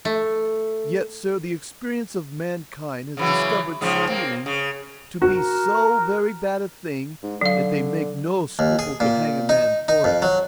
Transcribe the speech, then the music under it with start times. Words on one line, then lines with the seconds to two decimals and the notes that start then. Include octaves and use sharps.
Yet, Sir, the experience of mankind has discovered stealing to be so very bad a thing, that they make no scruple to hang a man for it.
0.05 A3
3.17 C#3 E3 F#3
3.81 G#2 C#3 F3
4.06 A#3 C4
4.46 C#3
5.22 F#4 A#4
7.23 G#2
7.41 D3 F#3 F5
8.59 D#2
8.79 G#4
9.00 A#2
9.49 D#4
9.88 D#4
10.04 F2
10.22 F#3